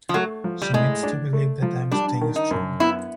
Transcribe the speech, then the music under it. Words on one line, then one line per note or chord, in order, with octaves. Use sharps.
She needs to believe that I'm staying strong.
F3
F#3 A3
F3
G3
A2 G#3
D4
A3
F3
G3 D4
D#3
D#4
F#2
B3 E4